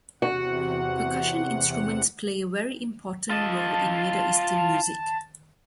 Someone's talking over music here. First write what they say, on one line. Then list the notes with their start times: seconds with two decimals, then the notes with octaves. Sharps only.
Percussion instruments play a very important role in Middle Eastern music.
0.22 E2 C3 F#4 F#5
3.30 F4 D#5 A5